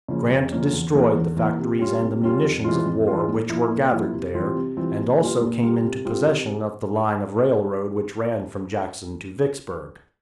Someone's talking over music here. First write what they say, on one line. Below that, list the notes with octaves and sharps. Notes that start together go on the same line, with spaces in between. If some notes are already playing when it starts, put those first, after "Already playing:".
Grant destroyed the factories and the munitions of war which were gathered there, and also came into possession of the line of railroad which ran from Jackson to Vicksburg.
C#3 F3 A#3 C#4
F2
C#3 F3 A#3 C#4
E2
E3 A#3
E2
E3 A#3
C3
G3 C#4 F4
C3
G3 C#4 F4
F2
E3 G#3 C#4 F4
F2
E3 G#3 C#4 F4
A#2
F3 A#3 E4
A#2
F3 A#3 E4
C3
E3 G3 C4 F4
C3
E3 G3 C4 F4
A#2
G3 A#3 F4
A#2
G3 A#3 F4
C3
G3 C4 F4
C3